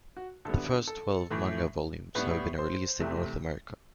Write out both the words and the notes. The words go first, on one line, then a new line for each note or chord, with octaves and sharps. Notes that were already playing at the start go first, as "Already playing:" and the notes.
The first twelve manga volumes have been released in North America.
F#4
D2 D3 G3 B3 A4
A4
A2 E3 A3
A2 G3 B3 B4
C5
C2 C3 E3 A3